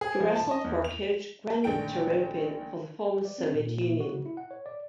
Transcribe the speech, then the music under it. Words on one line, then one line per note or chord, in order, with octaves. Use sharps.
He wrestled for coach Granit Taropin for the former Soviet Union.
G#4
F3
A5
D#5
E2
F7
A#1 D3 D#3 A3 G5 D7
D5
C4
A#2
A#2
A#2
F#4
C#3
E4
F#5
C#5
D5